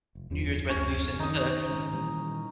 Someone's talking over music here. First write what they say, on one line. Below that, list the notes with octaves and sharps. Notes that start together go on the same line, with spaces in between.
New Year's resolutions to
F1
F#1 E2 F3
D2 C#4
D#3 D#4 D#6
G#2 C#3
A#2 E3 G3